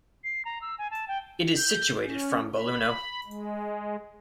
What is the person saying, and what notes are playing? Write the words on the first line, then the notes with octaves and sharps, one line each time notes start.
It is situated from Belluno.
C7
A#5
E6
G#5
A5
G5
G6
C#4
B5
G#3